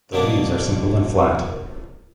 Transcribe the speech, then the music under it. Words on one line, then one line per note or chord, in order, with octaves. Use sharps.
The leaves are simple and flat.
B2 F#3 A#3 D4